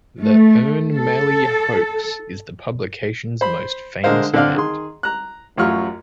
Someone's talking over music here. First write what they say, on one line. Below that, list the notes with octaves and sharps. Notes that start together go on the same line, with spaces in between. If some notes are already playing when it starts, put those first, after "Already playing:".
The Ern Malley hoax is the publication's most famous event.
A3
A4
C5 B5
D3 G#3 D4 A#4 C5 F5
D3 C4 A4 D5 F5 F6
D#3 G#4 C6
A#5 F#6
A1 F#2 F4 C#6 F6